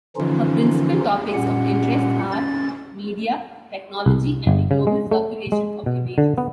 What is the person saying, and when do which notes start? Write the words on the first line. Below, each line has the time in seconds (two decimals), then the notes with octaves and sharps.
Her principal topics of interest are media, technology, and the global circulation of images.
0.16 D3 E3 F3 C#4 D#4 F4
1.34 A#2 G3 C#4 G4 F#5
2.31 C#4 A6
4.06 C2
4.47 G1
4.71 C#3
4.87 G#3
5.11 A3
5.52 G#3
5.86 B2
6.18 D3
6.38 B3